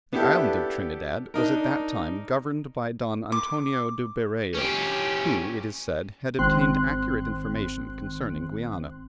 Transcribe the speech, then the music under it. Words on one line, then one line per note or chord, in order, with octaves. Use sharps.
The island of Trinidad was at that time governed by Don Antonio de Berreo, who, it is said, had obtained accurate information concerning Guiana.
B3 D4 E4 G4 A4
D4 D#4 A#4
D6
C#4 G4
G#1 C4 C6 F#6